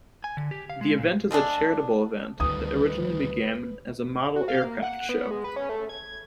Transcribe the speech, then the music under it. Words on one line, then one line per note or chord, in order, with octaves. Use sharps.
The event is a charitable event, that originally began as a model aircraft show.
G#5
D3
G4
F5
G#3
A#2 G#3
D3 G#3 A3 D4
D2 D#3 G3 B4 D#6
F#4
F5
A#3
F#5
B3
G#3
B4
C#4
A3
G#6